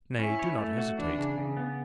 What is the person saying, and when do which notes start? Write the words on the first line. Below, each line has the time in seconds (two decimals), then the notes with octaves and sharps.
Nay, do not hesitate.
0.19 C#4 E4
0.39 C#5
0.58 A3
0.78 F#4
0.98 E3 D4
1.18 C#3
1.38 C#3
1.57 B3